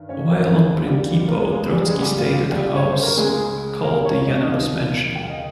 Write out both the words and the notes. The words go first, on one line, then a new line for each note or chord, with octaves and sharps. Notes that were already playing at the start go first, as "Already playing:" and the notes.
While on Prinkipo, Trotsky stayed at a house called the "Yanaros mansion".
Already playing: G2 D#3
C#4 C#5
A#3 A#4
D#2 D#3 G#3 G#4
F4
G3 G4
D#4
F4
A#4
G#3 G#4
G#3 G#4
G3 G4
C#2 C#3 G#3 G#4
G3 G4
F4
F4
G3 G4
C#5
C5
A#4
C#2 C#3 G#3 G#4
A#3 A#4
C#4 C#5
D#5
F5
D#4 D#5
D#2 C#3 F4 F5
G5
F5
D#5